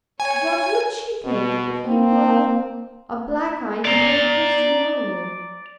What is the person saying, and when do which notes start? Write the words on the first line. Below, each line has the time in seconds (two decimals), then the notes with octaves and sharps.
What would she think if he brought a black eye to breakfast to-morrow?
0.20 C#5 G#5
1.24 B2
1.85 A#3 C4
3.85 D5 A#5